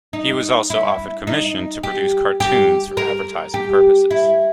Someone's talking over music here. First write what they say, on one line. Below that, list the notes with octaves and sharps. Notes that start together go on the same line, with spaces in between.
He was also often commissioned to produce cartoons for advertising purposes.
D#4
E4
D#4
G4
G4
A#4
G4
E4